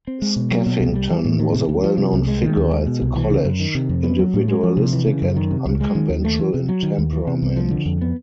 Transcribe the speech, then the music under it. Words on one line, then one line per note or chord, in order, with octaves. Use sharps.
Skeffington was a well-known figure at the college, individualistic and unconventional in temperament.
C4
G#3
B2
F#3
B2
C2
G3
E3
A2
D#3
C3
D2
F3
C3
C2
G#3
D#3
D#2
G#3
B2
C2
E3
C#3
F#2
D#3
C3
F2
B3
F#3
A2
G#3
F3
C3
E3
C#3
F#2
D#3
C3
C#2
G#3
D#3
D#2
A3
E3
C3
F#3
D#3
D#2
E3
C3
C2
F3
D3
F2
B3